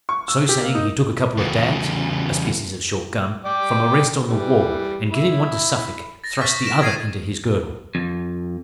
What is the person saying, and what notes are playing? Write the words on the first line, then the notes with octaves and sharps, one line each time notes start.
So saying, he took a couple of dags--a species of short gun--from a rest on the wall, and giving one to Suffolk, thrust the other into his girdle.
C#6
E6
G4
A#3
D#4
E2 C#3
D5 G5 D6
E3 G3
E4 B5
A6 A#6
C#6 F6 G6 A6 B6
A#6 D7 E7
D#6 G#6 C7 D#7
F2